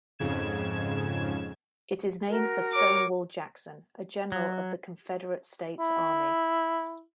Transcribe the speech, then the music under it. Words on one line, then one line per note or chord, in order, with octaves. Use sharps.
It is named for Stonewall Jackson, a general of the Confederate States Army.
F2 G#2 C#3 G#6 E7
F#4 A#4
C#5 D6
F#3
E4